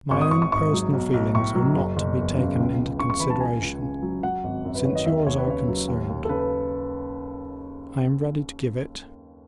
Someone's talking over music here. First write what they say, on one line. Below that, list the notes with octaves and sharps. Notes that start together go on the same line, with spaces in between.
My own personal feelings are not to be taken into consideration since yours are concerned; I am ready to give it.
G#1 C#6
D#6
G#1 C#6
C#6
G#2 C#6
F#3
B1
B1
A2 C#6
F#3
F#1
F#1
E2
C#3
C#2
C#2
C#3 C#6
C#6
E3 B5
A5
C#2 G#5
C#2
C#3
F#3
F#3 F#5
G#1
F#2
B4
D#3 C#5
D#5
D#2 E5
D#2 C#5
B4
C#3 C#5
F#3
D#2
D#2
A4
C#3 B4
B4